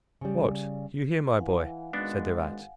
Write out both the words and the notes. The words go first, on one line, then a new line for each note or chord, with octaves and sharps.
"What! you here, my boy?" said the rat.
C#3 G3
E3 F5 F#5 G#5
G#1 G#3 B3 D4